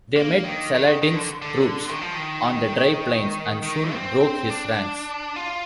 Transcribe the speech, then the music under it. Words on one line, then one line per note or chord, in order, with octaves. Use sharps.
They met Saladin's troops on the dry plains and soon broke his ranks.
A#3
D#3
D#3
D#3
D3
D3
D#3
F3
D#3
D#3
C4
C4
D4
F4